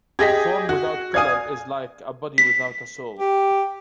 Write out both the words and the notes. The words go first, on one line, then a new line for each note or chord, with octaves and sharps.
Form without colour is like a body without a soul.
G4 G#4 D#5 G#6 A#6 B6
F#4
D5 F5 G#5 D#6 G#6
B6
G4